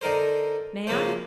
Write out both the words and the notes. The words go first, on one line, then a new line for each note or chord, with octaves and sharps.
"May I?"
D3 D#4 A#4 C5
C#3 F3 A#3 C5